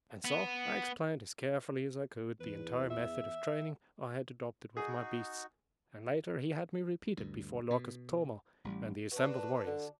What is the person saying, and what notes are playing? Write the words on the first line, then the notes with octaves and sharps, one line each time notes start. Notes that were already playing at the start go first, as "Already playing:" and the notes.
And so I explained as carefully as I could the entire method of training I had adopted with my beasts, and later he had me repeat it before Lorquas Ptomel and the assembled warriors.
B3
E2 B4
E5
D#4 F#4 G#4
D2 G2
B2
A1 G3
D4 F#4 B4
D3